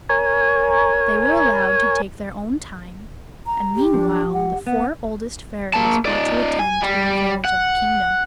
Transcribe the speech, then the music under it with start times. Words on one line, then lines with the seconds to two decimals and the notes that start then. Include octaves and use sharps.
They were allowed to take their own time, and meanwhile the four oldest fairies were to attend to the affairs of the kingdom.
0.09 A#4 C#5 G#5
3.46 A#5
3.76 G4
3.93 F3 D4
4.33 F#5
4.67 B3 F#5
5.73 A#3 A5
6.05 D#4 D5
6.59 G#5
6.82 G3
7.45 F#5